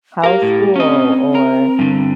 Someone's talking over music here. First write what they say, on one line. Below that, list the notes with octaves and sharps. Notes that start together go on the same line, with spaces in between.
"How's school?" or
G4 A#4 F5
A2
C4 C#4 D#5
A#4
G2 D3